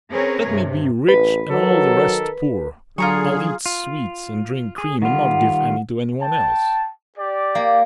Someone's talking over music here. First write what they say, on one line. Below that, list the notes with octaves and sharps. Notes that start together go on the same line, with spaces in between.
Let me be rich and all the rest poor, I'll eat sweets and drink cream and not give any to any one else.
C4 C#4 G#4 A#4 B4 C#5
G2 C3
A1 B4
D#3 F#3 A4 A#4
D3 F#3 F4 G#4 A#5 C#6
F4
G#4
D#3 G3 F4 F#5
G5 A5
G4 D5
A#3